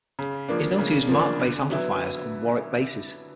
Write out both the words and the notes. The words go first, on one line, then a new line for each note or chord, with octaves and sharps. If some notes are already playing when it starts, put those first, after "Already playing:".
He is known to use Markbass amplifiers and Warwick basses.
C#3
F3 A#3 D4
C#3
F3 A#3 D4
D3
F#3 B3 E4